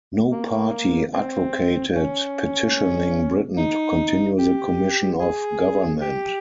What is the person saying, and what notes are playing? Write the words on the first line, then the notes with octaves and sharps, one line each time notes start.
No party advocated petitioning Britain to continue the Commission of Government.
A#3
C4
C#4
D#4
G4
G#4
G4